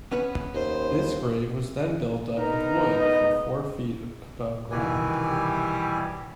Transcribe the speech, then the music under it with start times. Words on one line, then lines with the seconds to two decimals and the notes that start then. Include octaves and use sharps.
This grave was then built up with wood for four feet above ground.
0.12 B3 C#4 B4
0.54 D#2 C5
2.37 B3 D#4 A#4
3.01 D#5
4.71 C2 B2 D#3 E3 E4 G4 G#5
5.29 G3